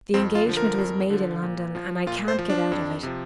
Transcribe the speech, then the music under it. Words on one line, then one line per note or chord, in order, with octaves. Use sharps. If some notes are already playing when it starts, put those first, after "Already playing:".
The engagement was made in London, and I can't get out of it.
F2 C4
F4
D3 F3
A#4
F2
D3 F3
A#2
F3
A#2 F4
C5
F3
D4
F2
C3 F3